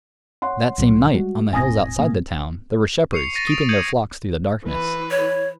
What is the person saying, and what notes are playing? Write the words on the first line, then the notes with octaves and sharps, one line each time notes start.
That same night, on the hills outside the town, there were shepherds, keeping their flocks through the darkness.
C#5 F#5 C6
C2 A#2 F#3
G3 G#3 F#4
E1 A2 C4 G#5 D#6 A#6
A2 A#3
C#6 C7 C#7 F7
A6 A#6 D#7
D#6 D7 F7
D#6 G6 G#6 C#7 D#7 F#7
E3 B4
C#5